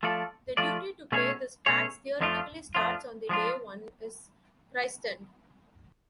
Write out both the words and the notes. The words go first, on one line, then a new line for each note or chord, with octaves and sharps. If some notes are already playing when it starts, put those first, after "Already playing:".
The duty to pay this tax theoretically starts on the day one is christened.
F3 A3 F4 A4 D5
F3 A3 F4 A4 D5
B2 A3 C#4 G#4 C#5
B2 A3 C#4 G#4 C#5
F2 F3 A3 D4 F4
F2 F3 A3 D4 F4
F3 G#3 B3 D4 F4